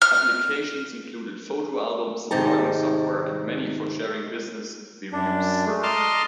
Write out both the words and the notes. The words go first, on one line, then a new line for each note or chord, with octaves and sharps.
Applications included photo albums, blogging software, and many for sharing business reviews.
F6
G#2 C3 D#3 D#4 A5 A#5
F#2 D4
G#3 A3
D#5 A5 A#5 C6 D6 F6